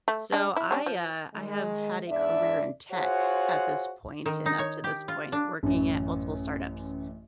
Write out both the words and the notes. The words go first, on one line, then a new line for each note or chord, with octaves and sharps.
So I, uh, I have had a career in tech at this point and up to this point working at multiple startups,
A3
G#3 D4
E4
G3 C#4 D4
F3
D#3 G#3
E2 G#2 D4 D5 E5
F4 F#4 G#4 C5 C#5 F#5
D#3
D#4
C#5
G4
F4
D4
A1 F#2